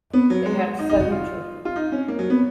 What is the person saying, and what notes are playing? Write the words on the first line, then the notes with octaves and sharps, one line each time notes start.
They had seven children.
B3
F#3
G#3
D#4
D#4
F#4
F4
F4
D#4
C#4
A#3
F#3
B3